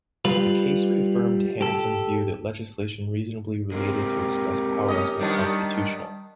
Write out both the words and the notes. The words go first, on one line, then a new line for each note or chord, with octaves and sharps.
The case reaffirmed Hamilton's view that legislation reasonably related to express powers was constitutional.
G3 F4 B4
G4 A4
G#3 A#3 C4 G4 A#4
C#4 D#5
D#3 G3 B3 D4